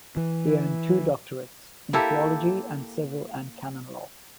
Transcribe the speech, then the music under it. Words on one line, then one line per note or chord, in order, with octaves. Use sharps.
He earned two doctorates, in theology and civil and canon law.
E3
A#3 E4 G4 A4